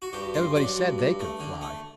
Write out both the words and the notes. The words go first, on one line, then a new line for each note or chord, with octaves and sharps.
Everybody said they could fly.
F#4
G2 G4
G2 C5
F#3 D5
G2
G2
A3
D3
A3